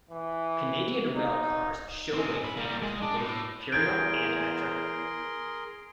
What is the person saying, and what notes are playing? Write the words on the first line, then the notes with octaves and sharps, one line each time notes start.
Canadian railcars show weight figures in both imperial and metric.
E3
D#4
G#3 C4
C2 B5
G3 A#3
G#3
D4
A2
E2 G#4 A#4 C6 G6 G#6 D7